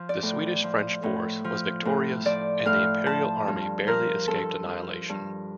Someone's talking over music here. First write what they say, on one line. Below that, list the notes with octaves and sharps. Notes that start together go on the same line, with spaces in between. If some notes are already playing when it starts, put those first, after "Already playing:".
The Swedish-French force was victorious, and the Imperial army barely escaped annihilation.
Already playing: F3
D5
A2
F3
A2
F3
A2
F3 D5
A2 F5
F3 A5
G2
F3 A#4
G2 A4
F3
G2